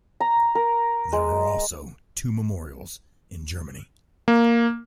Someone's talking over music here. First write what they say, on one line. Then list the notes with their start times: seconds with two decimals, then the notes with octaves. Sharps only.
There are also two memorials in Germany.
0.20 A#5
0.55 A#4
1.13 G#3
4.28 A#3